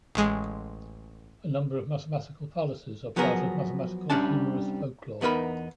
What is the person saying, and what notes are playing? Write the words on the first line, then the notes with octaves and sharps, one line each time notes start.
A number of mathematical fallacies are part of mathematical humorous folklore.
A1 G#3
F3 F#3 B3 G#4 A#4
C2 G3 C#4 D4 A5
E2 B3 D#4 A#4 B5